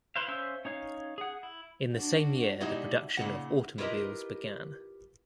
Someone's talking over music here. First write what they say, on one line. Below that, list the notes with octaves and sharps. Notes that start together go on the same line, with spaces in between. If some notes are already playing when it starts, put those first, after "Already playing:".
In the same year the production of automobiles began.
E4 B4 C5 F5
C#4 C5 E5 F5 E6
C#4 D#4 C#5 F5
G#4 F#5
E4
D4 F#4
B2 G3 G#3 D#4 E4 F#4
A#2 C#3 D#4 F#5
E4 F4 G4 A#4 B4 D#5